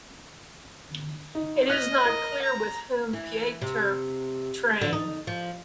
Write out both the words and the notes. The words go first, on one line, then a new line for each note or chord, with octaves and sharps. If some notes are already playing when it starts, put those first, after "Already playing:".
It is not clear with whom Pieter trained.
D#4
D#5 F6 F#6
A#4 D#6
A#5
E3
C3
D3
D#4
F3